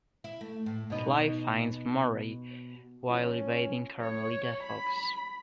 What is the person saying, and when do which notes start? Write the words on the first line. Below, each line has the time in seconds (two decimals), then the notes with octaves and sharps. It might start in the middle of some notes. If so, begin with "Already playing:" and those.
Sly finds Murray, while evading Carmelita Fox.
0.24 E4
0.41 A3
0.66 A2
0.90 B2 D#4
3.09 F3 C#4
4.01 C#5
4.63 B5